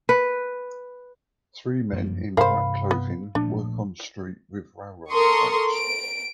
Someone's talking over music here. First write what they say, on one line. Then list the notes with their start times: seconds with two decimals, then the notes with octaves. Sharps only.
Three men in bright clothing work on street with railroad tracks.
0.09 B4
1.93 F#2 F3 A#3
2.37 G2 C3 A#4 C5 F5 B5
2.91 B3
3.35 A#2 F3 A3 D4
5.11 A4 A#4 C6 C#6 D#6
5.71 D7